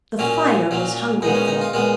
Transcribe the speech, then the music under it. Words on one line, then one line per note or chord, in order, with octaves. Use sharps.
The fire was hungry for them.
A#2 F#3 A#3 C#4
A#2 F#3 A#3
A#2 G#3 B3 D#4
C#4
D#4
F4
A#2 G#3 B3 F4